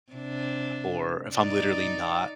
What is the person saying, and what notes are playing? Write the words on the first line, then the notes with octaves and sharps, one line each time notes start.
or if I'm literally not
C3 D4
D#4 D5